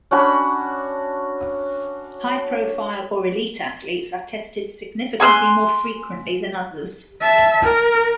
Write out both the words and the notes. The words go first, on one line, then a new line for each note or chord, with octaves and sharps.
High-profile or elite athletes are tested significantly more frequently than others.
C#4 D4 F#4 B5
G#5 C6 E6 F#6
E5 A5
A#4